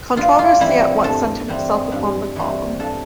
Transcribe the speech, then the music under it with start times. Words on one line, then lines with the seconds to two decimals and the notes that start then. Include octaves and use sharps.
Controversy at once centred itself upon the column.
0.17 G2 F4
0.39 F4
0.60 E3 G3 C4 E4
1.04 G2 A4
1.48 E3 G3 C4
1.92 G2
2.36 E3 G3 C4
2.80 G2 A4